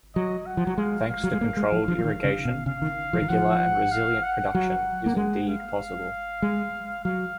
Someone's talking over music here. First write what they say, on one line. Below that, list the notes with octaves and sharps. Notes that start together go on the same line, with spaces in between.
Thanks to controlled irrigation, regular and resilient production is indeed possible.
F#3 D#5
F#5
F3
F#3
G#3 F5
F5
F#3
G#3
A#3
G#3
F3
F3
F3
D#3
C#3
B2
C#3 F5
D#3
F3
D#3
F3 F#5
F5
F#5
F#3 F#5
A#3
G#3 F#5
F5
G#3
F#3 F5